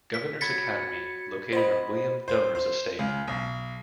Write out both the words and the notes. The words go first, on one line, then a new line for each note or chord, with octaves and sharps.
Governor's Academy located on William Dummer's estate.
B6
F#3 F#4 B5 G#6 A6 B6 C#7
F#4 C5 D#5 B5
C5
C5
C#2
B1